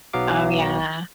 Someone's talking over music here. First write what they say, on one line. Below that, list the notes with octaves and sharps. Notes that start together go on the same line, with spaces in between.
Oh, yeah.
B1 F#3 B3 F5 D6